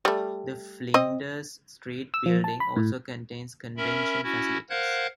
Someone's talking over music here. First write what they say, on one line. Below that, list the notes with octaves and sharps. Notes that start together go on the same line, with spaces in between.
The Flinders Street building also contains convention facilities.
G3 A3
C4 D#5
E6
F3
A5
B5
A2
C#4 A#4 E5 B5
C#4 E4 F#4
A#4 C5 F5 F#5 F#6 G#6